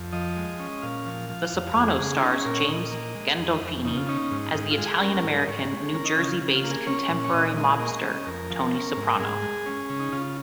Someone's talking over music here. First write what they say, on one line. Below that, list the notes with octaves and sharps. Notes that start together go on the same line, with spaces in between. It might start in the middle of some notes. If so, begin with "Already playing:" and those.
"The Sopranos" stars James Gandolfini as the Italian-American New Jersey-based contemporary mobster Tony Soprano.
Already playing: F2
F3 D#5
G#3
C#4
A#2 F5
F3
F3
F2
F2 G#4
C#3
F4
C#4 D#4
G#4
A#2 A#4
C#5
A#2 D#5
A#3
G#3
F2
F2
C#3 D#4
F4
C#4 D#4
G#2
G#2 D#4
F4
G#3
G#4
C#4 A#4
G#2
D#5
G#2 C#5
G#3
C#4 A#4
D#5
C#3 F4
D#4
F4
C#3
F4
A#3
G#4
C#4 C#5
A#2
C#5
A#2 D#5
G#3 D#5
A#3 D#5
C#4
F2 A#4
F3
C#4
G#2
G#2 G#4
G#3
C#4
C#3
D#4
C#3 F4